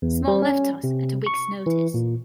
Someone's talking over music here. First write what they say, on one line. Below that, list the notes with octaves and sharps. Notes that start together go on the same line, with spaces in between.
Small left us at a week's notice.
E2
G3
C#4
C3
C#6
E3
A#2